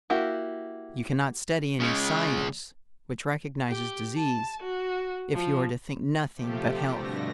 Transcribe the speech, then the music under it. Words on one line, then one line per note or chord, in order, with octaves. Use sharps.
You cannot study any "science" which recognizes disease, if you are to think nothing but health.
A#3 E4 F#4 G4
C#3 G#3
G4
A5
F#4
F3
C3 F3 A3 G4
G2 B2 D3 A3 A#6